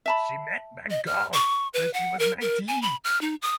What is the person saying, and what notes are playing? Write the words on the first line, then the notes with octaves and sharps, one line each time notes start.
She met Van Gogh when she was nineteen.
E5 A5 B5
D#5
F6
C#6
B4
F#5
A#4
A#4
G#5
B5
F6
D#4
D#6